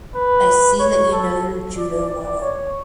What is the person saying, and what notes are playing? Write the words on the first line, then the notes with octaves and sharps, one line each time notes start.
I see that you know your Judo well.
B4
C#5
A4
D5
D5
C#5